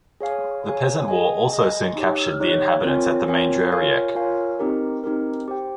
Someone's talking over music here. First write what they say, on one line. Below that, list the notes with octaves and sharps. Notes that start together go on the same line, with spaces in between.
The peasant war also soon captured the inhabitants at the Maindreieck.
G#4 C#5 F5 G#5
G#4 C#5 F5 G#5
G#4 D#5 G#5
G#4 D#5 G#5
D#4 G4 C#5
D#4 G4 C#5
C4 F4 A#4 C#5 G#5
C4 F4 A#4 C#5 G#5
F4 A#4 C#5 F5 G#5
F4 A#4 C#5 F5 G#5
C4 D#4 G4 A#4
C4 D#4 G4 A#4
G4 C5 G5